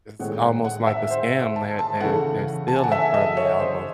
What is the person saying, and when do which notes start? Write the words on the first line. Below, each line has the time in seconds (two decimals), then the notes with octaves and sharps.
It's almost like a scam, they're they're they're stealing from you almost
0.19 A2 G#3 C4 F#5
0.42 F#5
0.65 F#5
0.87 E5
1.10 C5
1.56 A5
1.79 A5
2.00 C#3 E3 A3 F#5
2.68 A5
2.76 G#5
2.83 F#5
2.92 E5
3.14 D#5
3.37 C#5
3.59 C5